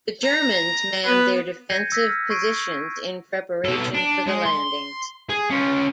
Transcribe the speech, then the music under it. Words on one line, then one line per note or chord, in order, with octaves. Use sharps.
The Germans manned their defensive positions in preparation for the landings.
A#5
B3 B4
G6 G#6 A#6 C7 C#7 D#7
E6 G#6 A#6 B6
F6
C#6 G#6 C7 D7 D#7
B2 A4
D4
G#3 G#4
C6
G#4
C#4 F4